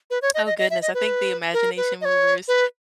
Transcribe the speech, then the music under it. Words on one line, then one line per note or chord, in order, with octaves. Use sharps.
oh, goodness, I think the Imagination Movers.
B4
C#5
D#5
D#5
D#5
E5
D#5
B4
A#4
B4
D#5
C#5
B4